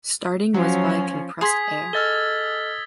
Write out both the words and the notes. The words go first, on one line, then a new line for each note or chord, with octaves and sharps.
Starting was by compressed air.
F3 F#3 C#4
G#4 C6 D#6 G#6 B6
A4 D#5 E6 F6 A6 G7